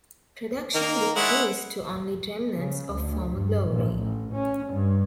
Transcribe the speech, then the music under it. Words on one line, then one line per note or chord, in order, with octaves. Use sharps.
Production decreased to only remnants of former glory.
D#3 A#3 A#4
G#3 E4 C#5 F#5
C#3
D2
G2
A#1
A1
C#4
G2